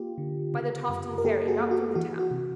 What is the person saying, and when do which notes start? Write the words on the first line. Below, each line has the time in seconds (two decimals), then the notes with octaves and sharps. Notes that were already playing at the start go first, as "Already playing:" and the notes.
"By the Tofton Ferry, not through the town."
Already playing: A#3 F4 G4
0.18 D3
0.54 C#3
0.89 F#2
1.18 A#4
1.24 A#3 G4 A4
1.48 F#4 G#4
1.60 A#3
1.71 F#4
1.95 E3 F#4
2.19 F#4
2.31 C3